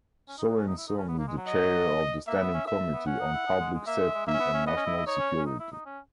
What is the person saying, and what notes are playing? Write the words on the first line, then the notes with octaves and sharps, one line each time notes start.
Sorenson is the chair of the Standing Committee on Public Safety and National Security.
C#4
D#4
D#4
C#4
D#4
E4
D#4
C#4
B3
A#3
G#3
F#3
D#5
A#3 E5
B3
C#4
E5
B3
C#4 F#5
D#4
E4
D#4
G#3
G#3
A#3 E5
G#3
G#3
A#3 E5
C#4
B3
C#4
B3 D#5
C#4
E4
E4
D#4 C#5
C#4
C#4
D#4
E4
D#4
C#4